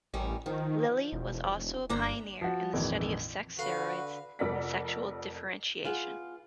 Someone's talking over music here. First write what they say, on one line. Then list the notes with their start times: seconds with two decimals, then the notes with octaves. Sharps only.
Lillie was also a pioneer in the study of sex steroids in sexual differentiation.
0.14 A1 D#3 G3 C#4
0.46 D#3 F3
1.12 E1
1.90 G1 A#3 D4 A#5
2.41 F3 F#4
2.74 A#1 F2 G#2 D#3 E3
3.59 D3 F#4 A4 B4 F5
4.39 F1 F2 A#4 D5 F#5 B6
5.84 B3 F4 G#4 F#5